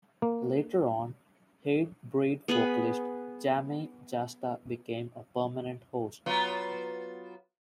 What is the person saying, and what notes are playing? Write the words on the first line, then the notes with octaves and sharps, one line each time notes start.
Later on, Hatebreed vocalist Jamey Jasta became a permanent host.
A#3
B3 G#4 B4 B5
F#3 B3 F4